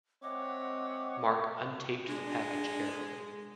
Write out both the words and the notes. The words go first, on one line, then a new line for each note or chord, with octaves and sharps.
Mark untaped the package carefully.
G#3 C4 C#5 D#5 E5 F#5 D6
G#3 D4